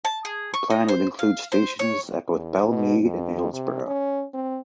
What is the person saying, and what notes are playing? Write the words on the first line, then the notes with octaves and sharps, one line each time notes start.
The plan would include stations at both Belle Mead and Hillsborough.
A5
G#4
C#6
D#4
C5
F5
C5
C#5
E2
B2
F2
C3
C#4
C4